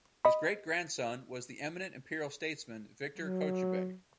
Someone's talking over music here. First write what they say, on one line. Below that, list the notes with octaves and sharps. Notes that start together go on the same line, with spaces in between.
His great-grandson was the eminent imperial statesman Viktor Kochubey.
D#5 B5
F#3